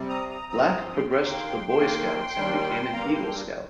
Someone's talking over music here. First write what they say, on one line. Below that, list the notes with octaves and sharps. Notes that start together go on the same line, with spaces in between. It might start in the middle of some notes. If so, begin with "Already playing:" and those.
Black progressed the Boy Scouts and became an Eagle Scout.
Already playing: C3 G3 C4
A#5 D#6
A#5 D#6
G2 F3 C4 A#5 D#6
C6
D#6
G5 C6
D#2 D#3 A#3 G5 C6
D#2 D#3 A#3
D#2 D#3 G3
G2 G3 A#3 F5 A#5
G5 C6